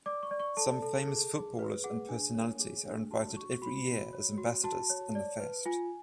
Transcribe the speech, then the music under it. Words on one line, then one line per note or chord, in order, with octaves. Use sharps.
Some famous footballers and personalities are invited every year as ambassadors in the fest.
D5 D6
C#6
D5
C#6
A4 A5
A4
G#4
G#4
B4
G#4 F#5
D4 G#5
C#5
G#4
D4
F#4 A5
F#4 C#6
F#4 B5
F#4
C#5
F#4
F#4 A5
C#5
D5
B4
F4 G#5